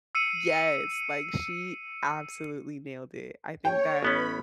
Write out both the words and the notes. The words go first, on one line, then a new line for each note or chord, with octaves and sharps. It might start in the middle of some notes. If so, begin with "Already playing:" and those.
Yes, like she absolutely nailed it, I think that
E6 C7 C#7 D#7
C#5 G5
A1 B3 C#4 B5